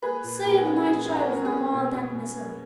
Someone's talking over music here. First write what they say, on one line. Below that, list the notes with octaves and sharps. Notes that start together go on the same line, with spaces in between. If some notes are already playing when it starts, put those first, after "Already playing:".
Save my child from all that misery!
A#3 G#4 B4
A#2
A#2 A#4
G#4
C#4 F#4
G#4
A#2 G#4
C#4 G#4
F#4 A#4
C#4 A#4
G#4
C#4
B2
B2
B2
A#3